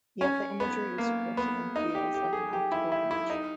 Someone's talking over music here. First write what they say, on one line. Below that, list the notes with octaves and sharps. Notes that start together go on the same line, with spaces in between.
Yet the imagery is crisp and "feels" like an optical image.
C#4
B3
A#3
B3
D#4
G4
G4
G#4
G4
E4
E4
E4
D#4